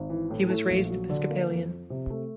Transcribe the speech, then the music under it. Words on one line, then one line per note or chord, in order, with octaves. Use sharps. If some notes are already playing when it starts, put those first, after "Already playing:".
He was raised Episcopalian.
Already playing: G#1
E3
A2
A3
A#1
F#3
D3
A#3
F2
F3
C3
A3